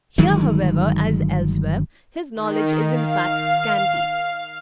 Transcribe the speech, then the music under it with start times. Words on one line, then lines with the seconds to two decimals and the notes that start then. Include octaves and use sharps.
Here, however, as elsewhere, his knowledge is in fact scanty.
0.18 G1 D#3 F#3 G#3
2.35 D#3
2.88 F5